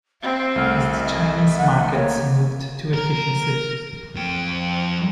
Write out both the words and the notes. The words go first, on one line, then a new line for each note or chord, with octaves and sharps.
As the Chinese markets moved to efficiency.
C4 F5
C2 A3 F#5 F6
D#5 E5
F#5
A#3 C#5
A#4
F2 G5